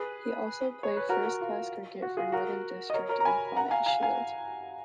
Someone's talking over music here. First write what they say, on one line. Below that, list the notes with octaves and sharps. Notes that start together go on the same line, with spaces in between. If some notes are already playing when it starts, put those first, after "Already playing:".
He also played first-class cricket for Northern Districst in the Plunket Shield.
Already playing: G#4 B4
C#5
B4
F#4 A#4
F#4
F4
F#4
F4 G#4
F#4 A#4
D#5
A#4 C#5
A#4 C#5
A#5
G#5 B5
F#5 A#5
F5 G#5
F5 G#5
F5 G#5